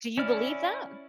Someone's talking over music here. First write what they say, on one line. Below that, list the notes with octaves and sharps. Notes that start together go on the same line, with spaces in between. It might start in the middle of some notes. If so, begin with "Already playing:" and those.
Do you believe that?
C#4 E4 D5 F6